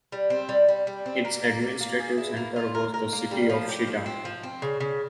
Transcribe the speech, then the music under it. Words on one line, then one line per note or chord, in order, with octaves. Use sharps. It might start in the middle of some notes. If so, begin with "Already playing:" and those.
Its administrative center was the city of Chita.
G3
C4
G3
G3
G3
C4
A#3
A#3
A#3
A#3
G#4
E4
A#3
F4
A#4
A#4
A#3
G3
F3
G4
F3
C4
F3
C4
C#3
C#3